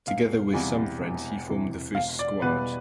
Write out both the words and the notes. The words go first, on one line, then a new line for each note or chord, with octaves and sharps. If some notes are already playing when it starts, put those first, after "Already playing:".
Together with some friends he formed the first squad.
E1 F5
E2 C3 E3 G3
E1
E2 C3 E3 G3
E1 F5
D5
E2 B2 G3 B3 B4